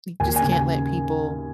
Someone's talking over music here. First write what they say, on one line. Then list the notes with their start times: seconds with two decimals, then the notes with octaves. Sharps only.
you just can't let people
0.20 D#2 G#5
0.36 C#3 G#5
0.52 G#5